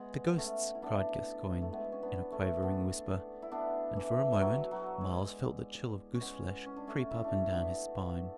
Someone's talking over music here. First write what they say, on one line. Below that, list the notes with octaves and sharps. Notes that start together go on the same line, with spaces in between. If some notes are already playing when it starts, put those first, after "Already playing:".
"The ghosts!" cried Gascoyne, in a quavering whisper, and for a moment Myles felt the chill of goose-flesh creep up and down his spine.
Already playing: G#3 B3
A3 C#4
E4
B3 D4
A3
G#3 B3
C#4
B3 D4
A3 C#4
B3 D4
E4
B3 D4
E3
G#3
F#3
F#3
G#3
C#4
G#3 B3
C#4
D4
A3 C#4
E4
D4
C#4
B3 D4